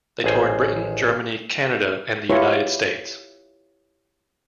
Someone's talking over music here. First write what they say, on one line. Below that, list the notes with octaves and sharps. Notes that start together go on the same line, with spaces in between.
They toured Britain, Germany, Canada and the United States.
A1 G#4 C5
E4 F4 G4 B4 C#5 E5